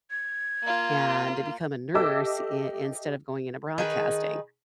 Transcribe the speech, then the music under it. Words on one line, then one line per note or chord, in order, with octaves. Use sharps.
and to become a nurse i instead of going into broadcasting,
G#6
A#3 F4
G4 A4 D#5 E5 D6 E6
D#3 G#4 B4